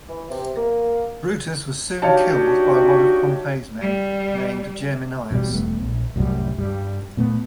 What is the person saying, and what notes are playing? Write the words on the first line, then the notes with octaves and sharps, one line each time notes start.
Brutus was soon killed by one of Pompey's men, named Geminius.
E3
C3
A#3
D4 D#4 F#4 G4 C#5 F5 A5
G3
A1 B2 D#3 G3
E1 G3 A3 B3
A#1
C2 F#2 A2 G3
G2 G3
A#2 A3 B3